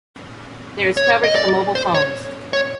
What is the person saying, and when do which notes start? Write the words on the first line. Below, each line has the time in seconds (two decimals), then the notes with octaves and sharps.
There is coverage for mobile phones.
0.97 C#5
1.24 D#5
1.35 D5
1.75 C5
1.95 C#5
2.53 C#5